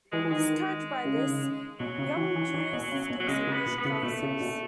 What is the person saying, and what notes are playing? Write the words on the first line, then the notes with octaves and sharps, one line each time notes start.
Discouraged by this, Young-ju skips English classes.
E3 G#3
E3
D#3 G#3
C#3
D#3
C#3
B2 F#3
C#3
E3
E3
E3
B2
C#3
B2
F#3
C#3 G#3
C#3
B3
B2
B3
C#3
B2 A3
C#3
B2